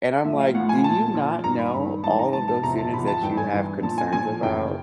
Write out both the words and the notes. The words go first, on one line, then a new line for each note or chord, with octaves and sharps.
and I'm like, "Do you not know all of those students that you have concerns about,
A2 F3 E5
F5
A2 F#5
F3
G#5
A#2 F3 A5
A#2 F3
G2 D#3 A#5
B5
G2 D#3
G#2 E3 A5
A#5
G#2 E3 A5
A5
E2 C3 F3 A#5
A5
E2 C3 F3 B5
A5
G2 E3 G5
G#5
G2 E3
A#2 F3 A5
G#5
A#2 F3 G#5
F#2 C#3 E3 G5